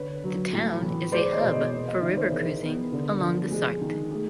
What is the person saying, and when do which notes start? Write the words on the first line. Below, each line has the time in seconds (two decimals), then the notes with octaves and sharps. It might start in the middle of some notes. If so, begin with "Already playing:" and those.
The town is a hub for river cruising along the Sarthe.
Already playing: D3 B4 C#5
0.24 F#3
0.53 A2
0.82 E3
1.12 G#3 C5 D5
1.32 C#5 D#5
1.42 B2
1.52 C#5 D#5
1.73 A#3
1.87 D#5 F5
2.02 D#3 D5 E5
2.13 C#5
2.17 C5 D5
2.32 E3 G#4 A#4
2.62 B3
2.92 D3
3.21 F3
3.51 G#3
3.81 D#3
4.11 A3 G#4